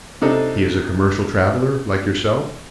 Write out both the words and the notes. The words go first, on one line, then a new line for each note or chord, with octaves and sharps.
"He is a commercial traveler like yourself?"
C3 D4 D#4 A4